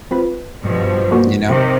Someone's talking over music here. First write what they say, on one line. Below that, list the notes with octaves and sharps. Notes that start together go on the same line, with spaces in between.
you know?
C4 F4 B4
G2 B2 F3
A#3 D4 F#4
C3 D#3